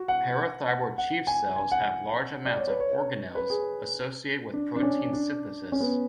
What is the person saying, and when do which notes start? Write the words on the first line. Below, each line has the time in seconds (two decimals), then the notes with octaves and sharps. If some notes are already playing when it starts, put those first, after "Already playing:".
Parathyroid chief cells have large amounts of organelles associated with protein synthesis.
Already playing: F#4
0.08 F#5
0.68 F#5
0.98 F#5
1.27 G#5
1.56 G#5
1.72 F#5
2.45 D5
2.57 C#5
2.68 B4
2.80 C#5
3.35 B4
3.50 G#4
4.53 D4
4.76 D4
4.83 C#4
5.13 D4
5.72 C#4
5.80 B3